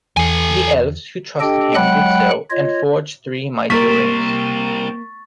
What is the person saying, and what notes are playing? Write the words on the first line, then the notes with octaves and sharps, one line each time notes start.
The Elves, who trusted him, did so, and forged three mighty rings.
E2 A4 G#5
D4 G4 A4 D#5 G5
F#3 G#3 F#5 G5 B5 F#6
F4 C#5 D#5
G3 A#3 C4 A#4 C#6 A6 B6